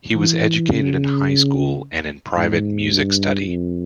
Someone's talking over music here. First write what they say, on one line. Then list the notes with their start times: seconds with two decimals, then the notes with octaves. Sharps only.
He was educated in high school and in private music study.
0.14 E3
0.70 C#3
2.36 G#2
2.92 G2
3.48 F2